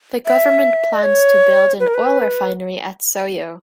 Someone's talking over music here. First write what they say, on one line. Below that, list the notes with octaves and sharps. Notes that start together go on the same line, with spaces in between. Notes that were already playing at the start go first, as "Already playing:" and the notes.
The government plans to build an oil refinery at Soyo.
E5
D#5
C#5
B4
A#4
B4